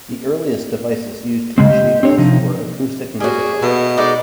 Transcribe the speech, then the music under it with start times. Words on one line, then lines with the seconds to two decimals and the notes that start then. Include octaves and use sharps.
The earliest devices used to achieve this were acoustic megaphones.
1.58 C#3 G#3 C4 D#5
1.70 G4
2.03 C4 D4 C#5
2.18 C3 F3 D#4
3.20 G3 F#4 G#4
3.62 B2 A3
3.97 G#3 D#4 A4 D5